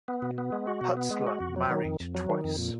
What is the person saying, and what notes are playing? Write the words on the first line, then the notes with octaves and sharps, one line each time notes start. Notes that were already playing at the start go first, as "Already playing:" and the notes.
Hutzler married twice.
B3
B2
B3
G#3
F#4
B2
B3
G#3
F#4
F2
F#3
D#3
F2
F2
F#3
D#3
F2
A#2